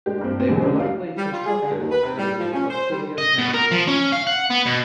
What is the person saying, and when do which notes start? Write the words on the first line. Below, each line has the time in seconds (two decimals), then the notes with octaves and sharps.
They were likely constructed using obsidian hammers.
0.06 G#3 D4 G4
0.21 G2 C4
0.35 C4 D4
0.49 E2 B2 D3 F#3 G#3 G#4
0.63 D3 F3 G3 A3 C#4 D4
0.80 F5
1.17 G3
1.32 F4
1.45 G#4
1.62 D3
1.78 D#2
1.91 B4
2.03 C3
2.18 G3
2.38 F3
2.53 C#4
2.70 C5
2.91 G3
3.18 D#5
3.38 B2
3.54 A#4
3.72 F3
3.88 C#4
4.12 F5
4.27 F#5
4.50 B3
4.66 B2